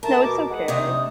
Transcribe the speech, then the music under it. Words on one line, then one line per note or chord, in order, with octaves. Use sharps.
No, it's okay.
A3 A#4 A5
B2 D6
G#3 F#5
C3 A3 D4 D#4 D#6